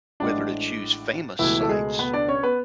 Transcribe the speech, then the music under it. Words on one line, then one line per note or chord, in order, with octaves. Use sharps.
whether to choose famous sites
A1 A2 G#3 D4
C#2 B2 E3 A3 E4
A4
G#3 G#4
B3 B4
D4 D5
C#4 C#5
B3 B4